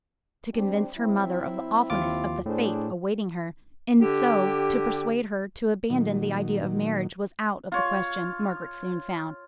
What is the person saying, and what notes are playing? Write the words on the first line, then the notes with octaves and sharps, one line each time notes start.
To convince her mother of the awfulness of the fate awaiting her, and so to persuade her to abandon the idea of marriage, was out of the question, Margaret soon found.
G3 C4 D4
F#3 C4 E4
D#2 F4 D6
A2 D4 G#4 C5
D3 G4
A#2 D#3 F#3
F4 C#5